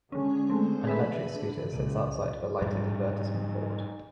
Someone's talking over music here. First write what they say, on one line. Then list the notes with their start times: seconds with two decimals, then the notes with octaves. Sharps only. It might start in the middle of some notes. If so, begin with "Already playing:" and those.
An electric scooter sits outside of a lighted advertisement board.
0.12 D3 G#3 C#4
0.50 G#3 A3 C4
0.85 G#4 B4 E5
1.30 D3
1.68 C#2 A#2
2.62 G#2 G3